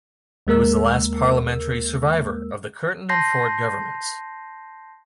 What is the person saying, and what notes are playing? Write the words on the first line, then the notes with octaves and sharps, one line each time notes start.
He was the last parliamentary survivor of the Curtin and Forde governments.
D#2 G#3 A#3 A#4 E6
A5 C6 G6 A#6 C7